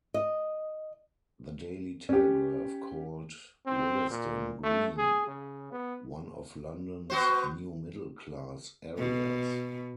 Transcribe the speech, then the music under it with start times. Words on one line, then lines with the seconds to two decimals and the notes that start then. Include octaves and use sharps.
The Daily Telegraph called Willesden Green one of London's "new middle class" areas.
0.14 D#5
2.09 C#4 G4
3.66 C4
4.10 A#2
4.63 A3
4.98 G#4
5.28 C#3
5.72 B3
7.10 B3 F#4 C5
8.98 B2